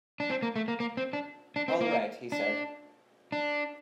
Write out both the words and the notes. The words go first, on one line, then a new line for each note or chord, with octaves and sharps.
"All right," he said.
D4
C4
A#3
A3
A#3
A#3
C4
D4
D4
C4
A#3
D4
D4